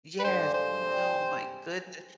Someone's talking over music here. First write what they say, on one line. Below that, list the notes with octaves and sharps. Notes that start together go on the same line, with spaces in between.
Yes. Oh, no, oh my goodness.
B4
G2 D3 F3 G#3 C5
C5
C3 G3 C4